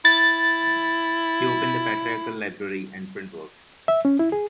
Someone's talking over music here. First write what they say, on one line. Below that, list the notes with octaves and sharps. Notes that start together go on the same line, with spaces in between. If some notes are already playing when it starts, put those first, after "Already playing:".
He opened the Patriarchal Library and Print Works.
E4 A6
E5
C#4
E4
G#4